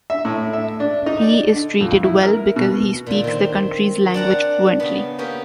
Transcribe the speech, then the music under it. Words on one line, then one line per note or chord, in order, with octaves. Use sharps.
He is treated well because he speaks the country’s language fluently.
E5
A2
E5
D4
D#4
D5
D3
F2
E4
A#4
B2
A#2 D3
D#3 C4
D4 D5 F#5 A#5
C#3 B3
A#3 B3 C#4 G4 G#4